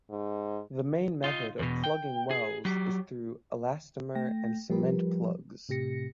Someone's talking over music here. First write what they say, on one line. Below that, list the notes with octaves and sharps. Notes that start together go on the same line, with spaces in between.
The main method of plugging wells is through elastomer and cement plugs.
G#2
D#4 F4
E2 B2
G5
G#4
F#3 G4
A3 G5 A#6
F3 G3 G4 A#4 B4
A2 C3 G4 A#6 C#7